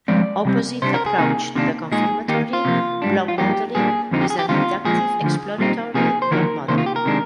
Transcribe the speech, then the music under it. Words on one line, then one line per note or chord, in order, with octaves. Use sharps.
Opposite approach to the confirmatory blockmodeling is an inductive exploratory blockmodeling.
G2 F3 G#3 C4 D5
C3 G3 C4
C3 G3 D4 C5
A#4
G#4
C3 D#3 A#3 D#4
C3 D#3 A#3 D4
A#2 G#3 D#4 G#4
D#2 D#3 A#3 D#4 G4
F4
C3 F3 A#3
G#2 G3 D4
F4
G2 F3 A#3 D#4 G4
A#2 G3 A#3 D4 G#4
F2 D3 F3 C4 D#4
G4
G#4
G4
D#2 D3 G3 C4 D#4 F4
A#2 F3 G#3 G#4
D2 D3 F3
A#2 G3 C4 D#4
C3 F3 A#3 D#4 G#4
C5
D#2 D3 F3 A#3 D#4 A#4
C3 D#3 A#3 D4 C5
F4
G4
A#4
C3 D#3 G#3 D4